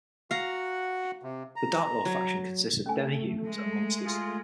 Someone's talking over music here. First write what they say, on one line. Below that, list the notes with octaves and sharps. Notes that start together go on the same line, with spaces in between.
The Darklore faction consists of demihumans and monsters.
F#4 F5 F#5 A#5
C3
A#5
F#3
A3 C#4 G#5
G#3
F4 G#4